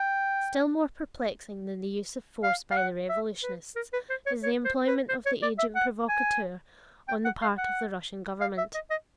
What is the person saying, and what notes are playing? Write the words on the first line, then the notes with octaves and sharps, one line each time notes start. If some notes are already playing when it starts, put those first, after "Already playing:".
Still more perplexing than the use of force by the revolutionists is the employment of the agent-provocateur on the part of the Russian government.
Already playing: G5
F5
F5
F#5
E5
B4
A#4
B4
C5
C#5
C#5
C5
B4
C5
C#5
D5
E5
F#5
G#5
G5
F#5
F5
F#5
F5
E5
D#5
D#5